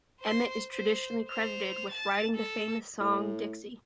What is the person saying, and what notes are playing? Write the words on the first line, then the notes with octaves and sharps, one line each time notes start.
Emmett is traditionally credited with writing the famous song Dixie.
C5 C6
C5
C5 F7
A5 A6
A4
A2